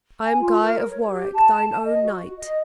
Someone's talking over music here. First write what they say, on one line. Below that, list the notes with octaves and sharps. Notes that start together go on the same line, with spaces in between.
I am Guy of Warwick, thine own knight.
G#5
F4
A#4
C#5
G4
A5
A5
D#5
F#4
D#5